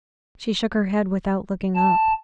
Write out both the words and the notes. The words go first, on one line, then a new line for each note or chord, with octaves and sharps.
She shook her head without looking up.
A5